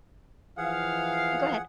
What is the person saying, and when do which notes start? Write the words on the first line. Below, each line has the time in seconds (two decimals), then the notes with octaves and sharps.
Oh, go ahead.
0.57 E3 F3 G#4 F5 F#5